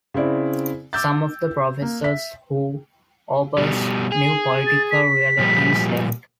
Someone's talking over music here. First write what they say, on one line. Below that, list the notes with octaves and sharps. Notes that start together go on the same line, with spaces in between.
Some of the professors who opposed new political realities left.
C#3 C4 E4 D5
D6 E6 G6 A6
A#3
E5 B6
B2 G3
G#4
A6
B6
A#2 F3 G3